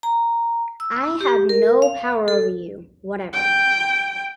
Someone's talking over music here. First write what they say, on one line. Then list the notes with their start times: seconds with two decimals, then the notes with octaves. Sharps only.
I have no power over you whatever.
0.03 A#5
0.80 E6
1.21 G4
1.49 A#4
1.82 F5
2.28 A4
3.33 G5